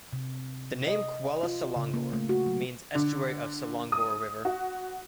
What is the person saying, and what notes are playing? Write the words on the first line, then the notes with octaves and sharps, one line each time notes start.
The name Kuala Selangor means Estuary of Selangor River.
C3
D#5
F4
C#3
A#3
A3
F#4
F#3
D3
D#6
F#4